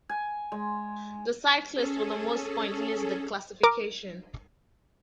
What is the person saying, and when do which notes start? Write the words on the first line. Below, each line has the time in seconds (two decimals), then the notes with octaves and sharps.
The cyclist with the most points lead the classification.
0.09 G#5
0.52 G#3
1.74 C#4 G#4 A4
3.63 A#4 D6